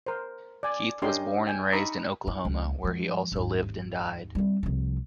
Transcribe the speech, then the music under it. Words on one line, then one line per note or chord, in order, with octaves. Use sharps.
Keith was born and raised in Oklahoma, where he also lived and died.
A#4 C5
D5 G#5
C#4 D4 G4 A#4 D#5 C6
G5 G#5
D#4 A#5 B5 C#6 D#6 E6
E4
C#2
F3 G#3
G#1 D#2
G3 C4
C2 F3